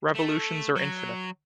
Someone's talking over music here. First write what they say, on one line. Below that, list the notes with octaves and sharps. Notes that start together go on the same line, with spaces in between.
Revolutions are infinite.
A3
F#3